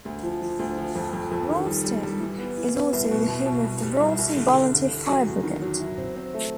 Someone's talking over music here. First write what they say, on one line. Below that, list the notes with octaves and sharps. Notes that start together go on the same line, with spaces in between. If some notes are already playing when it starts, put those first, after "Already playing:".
Rolleston is also the home of the Rolleston Volunteer Fire Brigade.
D2
F3
F3
D2
F3
F2
F2
F2
D#3
G3
G3
G3
E3
B3
E3
B3
C2
B2
B2
B2
C2
G3
C2
C2
D3
D3
D3
D3
F#3
E2
D#3
F#3
E4
C4
C4
A3